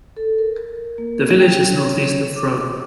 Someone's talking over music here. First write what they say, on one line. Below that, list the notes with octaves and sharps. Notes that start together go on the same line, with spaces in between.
The village is north-east of Frome.
A4
A#4
A#3
G5
C#5
D6